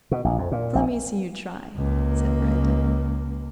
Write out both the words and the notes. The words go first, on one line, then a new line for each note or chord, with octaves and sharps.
"Let me see you try," said Brandon.
B2
A#1
F2
A#2
A#1
C#2 A#3